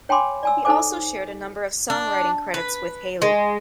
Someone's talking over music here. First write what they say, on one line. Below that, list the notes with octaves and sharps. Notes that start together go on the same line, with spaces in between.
He also shared a number of songwriting credits with Haley.
C#5 G5 G#5 B5 C6 D6
D5 G#5 E6
D#4 A4 C5 G#5 D6
D4
B4
G#3